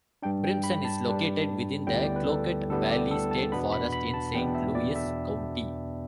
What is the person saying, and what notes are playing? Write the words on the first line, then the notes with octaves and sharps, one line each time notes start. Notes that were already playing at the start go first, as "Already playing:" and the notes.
Brimson is located within the Cloquet Valley State Forest in Saint Louis County.
G2 G3 D4 G5
G5
B5
A5
G2 G3 D4
D2 D3 G3 B3 E4 G5
D5
B4
A4
D2 D3 G3 B3 E4 A4
G4
A4
A5
E2 B2 B3 D4 B5
B5
B5
A5
E2 B2 B3 D4 G5
E5
D5
E5